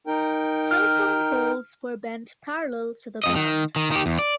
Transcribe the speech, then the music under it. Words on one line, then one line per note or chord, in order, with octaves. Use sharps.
Telephone poles were bent parallel to the ground.
D#4 A#4 G5
F6
F2 D#5
D#3
D#3
D#3 G4
E2
D5